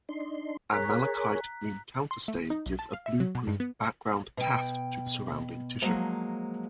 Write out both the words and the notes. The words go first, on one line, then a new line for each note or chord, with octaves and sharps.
A malachite green counterstain gives a blue-green background cast to the surrounding tissue.
D4 D#4 C6
G#4 A#4 C#5 A#5 F#6 B6
C6
A3
D#4
B1
A5
F5
E5
F#3
B2
G2
B3
B2 G5
F3 F#3 G#3 A#3